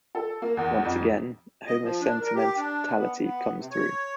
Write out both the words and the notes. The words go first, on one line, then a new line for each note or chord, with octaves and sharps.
Once again, Homer's sentimentality comes through.
A4
A#3
E2
F2
D#5
F3
D4
A#4
G4
D4
B3
B3
C3
C#5